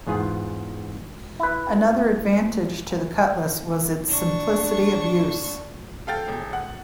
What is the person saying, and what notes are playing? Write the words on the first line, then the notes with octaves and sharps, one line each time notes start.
Another advantage to the cutlass was its simplicity of use.
E2 G#2 B3 F4 G#4
E4 B4
D4 C#6
A4 F5 G5 A6
E1
F#5